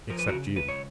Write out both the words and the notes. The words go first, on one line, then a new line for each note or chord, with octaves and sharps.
"Except you."
F3 A#4
B4
F#4 A#4
C#3
C#2 B4
C#5